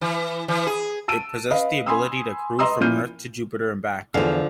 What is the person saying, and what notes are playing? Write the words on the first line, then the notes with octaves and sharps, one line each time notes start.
It possesses the ability to cruise from Earth to Jupiter and back.
E3
E3
G#4
A5 E6 D7 D#7
B4 D#5 F5
G#5 B5 C6 D#6 E6
B4 D#5 A#5 C6 D#6 E6
A#2 F3 E4 F6 G6 D#7
E2 D3 F3 F5